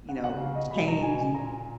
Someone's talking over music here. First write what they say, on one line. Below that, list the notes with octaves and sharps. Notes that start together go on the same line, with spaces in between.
you know, change, and
C#3 F#5
B2 F#5
C#3
F5
D#5
A#2
B2 B5
A#5
G#5
G#5
A#2 A#5